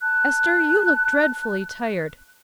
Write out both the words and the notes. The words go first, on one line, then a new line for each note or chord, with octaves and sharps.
Ester, you look dreadfully tired.
A5 F#6